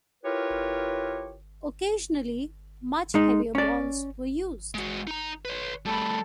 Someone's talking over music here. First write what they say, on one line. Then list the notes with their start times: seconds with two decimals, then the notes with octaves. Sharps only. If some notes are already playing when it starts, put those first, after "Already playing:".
Occasionally, much heavier balls were used.
0.24 E4 F4 G4 A#4 B4 C#5
3.14 G#3 D#4
3.55 C#4 D5
4.75 G#3 F#4
5.07 D#4 A#5
5.45 B4 C#5
5.85 G3 A3 A4 B5